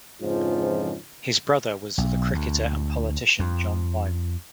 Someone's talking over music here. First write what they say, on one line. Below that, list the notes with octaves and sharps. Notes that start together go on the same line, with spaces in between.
His brother was the cricketer and politician John Wiley.
F2 G#2 C#3 E3 F3
B1
D2
F2